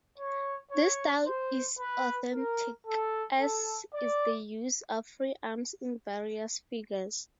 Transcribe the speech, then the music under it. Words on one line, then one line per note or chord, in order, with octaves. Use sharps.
This style is authentic, as is the use of free arms in various figures.
C#5
C#5
C5
B4
A#4
A4
A4
D5